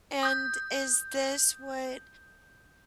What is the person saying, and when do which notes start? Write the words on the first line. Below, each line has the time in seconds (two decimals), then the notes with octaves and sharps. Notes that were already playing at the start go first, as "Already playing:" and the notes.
and is this what
0.23 D#6 G6